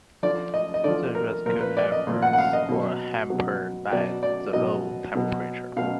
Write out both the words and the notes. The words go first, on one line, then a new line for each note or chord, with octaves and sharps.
The rescue efforts were hampered by the low temperature.
D3 F3 D5
D#5
D#5
D3 F3 D5
A#4
A#2 F3 A#4
B4
D5
D#5
A#2 F3
F#5
F#5
F5
D#5
B2 F#3
B2 F#3
B2 F#3 D5
D5
B2 F#3 D#5
B2 F#3
B2 F#3 F5